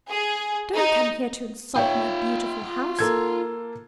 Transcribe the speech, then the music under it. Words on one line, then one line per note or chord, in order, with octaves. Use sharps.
Don't come here to insult my beautiful house.
G#4
D#4
F4 C#5 E5 G5
A#3 A4 G#6